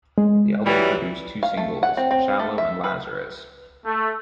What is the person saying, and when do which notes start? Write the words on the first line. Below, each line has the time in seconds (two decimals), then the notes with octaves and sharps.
The album produced two singles: "Shallow" and "Lazarus".
0.18 G#3
0.65 E3 F#3 G3
1.43 F5
1.57 A3
1.83 F#5
1.97 C4
2.11 C4
2.39 A3
2.58 E5
2.84 B4
3.85 A3